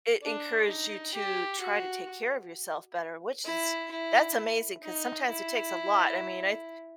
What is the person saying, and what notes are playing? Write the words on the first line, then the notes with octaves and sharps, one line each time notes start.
it encouraged you to try to take care of yourself better, which is that's amazing, 'cause sometimes it takes a lot. I mean, I th
D4
D#4
G4
F#4
E4
E4
D#4
E4